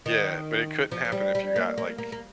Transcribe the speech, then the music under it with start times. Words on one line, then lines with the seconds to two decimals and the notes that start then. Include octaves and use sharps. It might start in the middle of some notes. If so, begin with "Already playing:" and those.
Yeah, but it couldn't happen if you got, like,
0.06 D#3
0.92 F3
1.05 F3
1.12 G3
1.35 G3
1.56 A#3
1.78 A#3
1.98 A#3
2.12 A#3